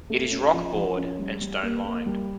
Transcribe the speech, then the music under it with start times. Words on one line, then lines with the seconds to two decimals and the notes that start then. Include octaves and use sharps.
It is rock bored and stone lined.
0.10 A3
0.31 C#4
0.53 F3
0.75 F3
0.97 C#4
1.19 G3
1.41 G3
1.62 A#3
1.84 A#3
2.06 G3